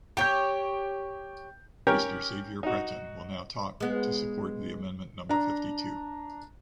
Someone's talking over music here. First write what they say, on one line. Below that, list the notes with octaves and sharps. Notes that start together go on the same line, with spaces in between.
Mister Xavier Breton will now talk, to support the amendment number fifty-two.
G4 C#5 G5 G6
C#4 G4 A#4 C#5 G5
D#4 F#4
G#3 B3
D4 A#5